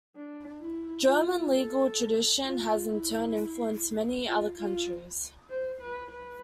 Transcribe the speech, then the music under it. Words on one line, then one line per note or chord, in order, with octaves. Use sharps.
German legal tradition has in turn influenced many other countries.
D4
E4
F4
A4
F4
E4
F4
F4
C5
B4
B4